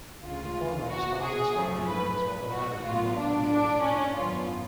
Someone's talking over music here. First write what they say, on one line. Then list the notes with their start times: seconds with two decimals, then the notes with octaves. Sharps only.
The former was found in swampy areas, while the latter grew on undulating land.
0.22 D2 C#3 G#3 F4
0.88 F#4
1.21 G#4
1.53 F#2 F3 A3
1.85 B4
2.19 B4
2.51 F#4
2.84 A1 A2 F#3 B3 F4
3.17 D4
3.49 D4
3.82 C#4
4.15 G#1 F#2 F3 B3 F4